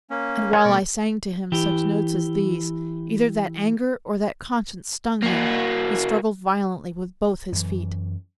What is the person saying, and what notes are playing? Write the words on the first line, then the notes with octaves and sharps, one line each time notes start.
And while I sang to him such notes as these, Either that anger or that conscience stung him, He struggled violently with both his feet.
A#3 C#4
A#4 C#5 F#5
B2 A3 D5 C#6
E3 G4
A#3 F#4
F#2 E3